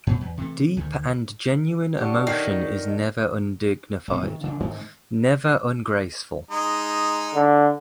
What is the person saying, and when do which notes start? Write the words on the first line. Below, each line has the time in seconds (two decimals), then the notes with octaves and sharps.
Deep and genuine emotion is never undignified, never ungraceful.
0.07 G#2 B2
0.21 E2
0.38 C3 E3 A3
0.77 D2 D#3
1.97 D3 G4 A4 C#5
2.27 D#3 D#4
4.08 A#1 A3 C4
4.22 D#3
4.44 C#3 F3 D4
4.60 G#2 D#3 A3
6.51 G#3 D#4
7.34 D3